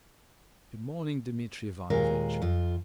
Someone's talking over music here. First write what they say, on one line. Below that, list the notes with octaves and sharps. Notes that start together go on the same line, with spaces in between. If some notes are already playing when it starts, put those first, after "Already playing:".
"Good-morning, Dmitri Ivanovitch."
D#2 A#2 G#3 F4 A#4 F5
F2 F4